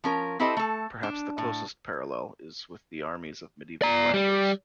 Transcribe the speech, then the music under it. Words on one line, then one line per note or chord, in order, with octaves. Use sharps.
Perhaps the closest parallel is with the armies of medieval Flanders.
F3 C#4 A#4
C4 E4 G4 A4 C5 D#5
A3 A4
D4
A2
D5 A#5
G3